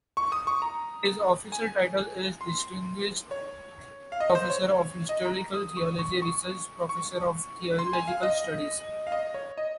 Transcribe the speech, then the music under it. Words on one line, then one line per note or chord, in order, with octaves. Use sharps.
His official title is Distinguished Professor of Historical Theology, Research Professor of Theological Studies.
C#6
D#6
C#6
A#5
G#5
C6
C#5
F5
D#5
C5
C#5
D#5
A#5
D#6
C#6
C#6
C#6
C#6
C6
G#5
F5
D#5
F5
D#5
C#5
D#5